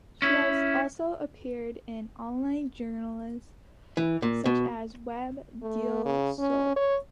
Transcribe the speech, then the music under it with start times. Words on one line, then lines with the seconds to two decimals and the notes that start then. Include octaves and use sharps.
She has also appeared in online journals such as "Web Del Sol".
0.22 C#4 E4
3.97 E3
4.22 A#2
4.46 B2
5.62 A3
6.05 C#3
6.39 C#4
6.76 C#5